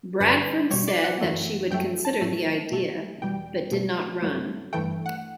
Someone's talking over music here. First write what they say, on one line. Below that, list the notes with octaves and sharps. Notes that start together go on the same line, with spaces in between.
Bradford said that she would consider the idea but did not run.
G2 D3 G3 B4
B2 G3 C#5
D5
F#5
F#2 E3 A3
G2 F#3 A3 G5
A5
A2 F#3 A3
B2 F#3 A3
E2 B2 G3 G5
B2 A3
G2 F#3 A3
G2 E3 A3 G5
F#5